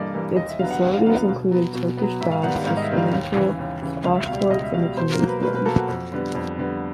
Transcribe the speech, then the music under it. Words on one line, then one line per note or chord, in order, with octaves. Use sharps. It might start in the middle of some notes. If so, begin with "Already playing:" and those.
Its facilities included Turkish baths, a swimming pool, squash courts and a gymnasium.
Already playing: G2 E3 G3 A#3 A4 D5 D#5
E3 G3 A#3
D#2 D#5
E5
D3 F#3 B3 F5
F#5
D#2 F#5
F5
D3 F#3 B3 F5
B2
F#3 B3
B2
F#3 B3
G#2 E5
F5
D#3 G3 B3 F#5
F5
G#2 F5
D#5
E5
D#3 G3 B3
F5
D#2 F5
C#3 E3
D#2
C#3 E3
C#2 F5
E5
B2 G3 F5
E5
C#2 D#5
E5
B2 G3 F5
B2 C5
A#4
F#3 A#3
B4
B2 B4
B4
F#3 A#3 A4
F#4
F2
D3 G3 B3
F2
D3 G3 B3